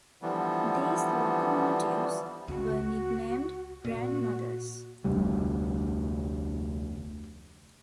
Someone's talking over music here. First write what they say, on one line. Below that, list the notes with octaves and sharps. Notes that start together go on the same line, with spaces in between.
These locomotives were nicknamed "Grandmothers".
D3 E3 F3 G3 B3
C#2 F#4
A#2 F#4
F1 D2 G3